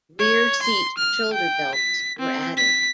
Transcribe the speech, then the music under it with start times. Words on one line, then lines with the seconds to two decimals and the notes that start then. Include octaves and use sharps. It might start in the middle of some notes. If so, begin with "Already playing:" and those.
Rear seat shoulder belts were added.
0.19 C#5
0.63 C6
0.98 F6
1.33 G5
1.75 B6
2.19 C4
2.57 B6